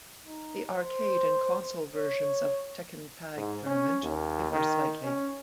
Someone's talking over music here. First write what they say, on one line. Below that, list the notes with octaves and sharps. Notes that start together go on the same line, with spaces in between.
The arcade and console versions of "Tekken Tag Tournament" differ slightly.
D#4
C5
C#5
G#2
C#4
D#2
D#3
C#4